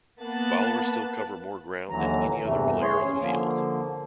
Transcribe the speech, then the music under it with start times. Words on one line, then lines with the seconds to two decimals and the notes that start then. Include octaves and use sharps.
Followers still cover more ground than any other player on the field.
0.20 A#3 B3 A5 F#6
1.90 D#2 D3 E3 F#3 A#5
2.42 E2 G2 C3 E3 A3
2.82 G#4 C#5 C6
3.04 C#4
3.20 D3 F3 A#3